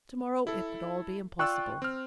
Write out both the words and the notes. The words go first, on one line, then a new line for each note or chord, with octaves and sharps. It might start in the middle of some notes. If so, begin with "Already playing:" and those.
To-morrow it would all be impossible.
E4 A4
F4 D5 G5 C#6 E6 F#6
C4 F6